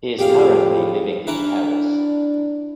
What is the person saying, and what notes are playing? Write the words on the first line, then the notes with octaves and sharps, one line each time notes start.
He is currently living in Paris.
F2 A2 G4 G#4 F5
E3 D4 A#4 B4